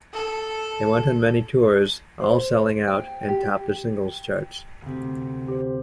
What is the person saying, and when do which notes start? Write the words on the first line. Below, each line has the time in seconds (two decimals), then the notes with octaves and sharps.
They went on many tours, all selling out, and topped the singles charts.
0.13 A4
2.20 C5
2.87 G5
3.29 G4
4.82 D2 C3
5.48 G4 C5